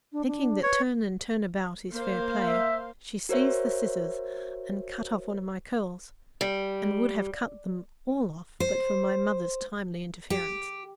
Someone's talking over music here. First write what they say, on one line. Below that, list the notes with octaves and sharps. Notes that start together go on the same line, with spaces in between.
Thinking that turn and turn about is fair play, she seized the scissors and cut off one of my curls, and would have cut them all off but for my mother's timely interference.
D4
D4
B4 C#5
A#3 C5 F5
E5
F#4 A#4 C5 C#5 E5
G3
C5
G4